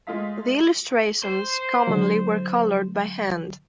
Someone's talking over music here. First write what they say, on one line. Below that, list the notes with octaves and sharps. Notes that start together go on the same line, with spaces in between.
The illustrations commonly were colored by hand.
G#3 A3 F4 G#4 F5 B6
C5
D3 F#3